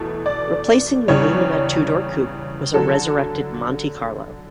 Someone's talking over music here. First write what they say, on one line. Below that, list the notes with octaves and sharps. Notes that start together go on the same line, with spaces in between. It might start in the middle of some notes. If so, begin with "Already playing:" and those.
Replacing the Lumina two-door coupe was a resurrected Monte Carlo.
Already playing: E2 B2 A3
D5
E2 C#3 G3 D4 C#5
D3 F#3 A3 A4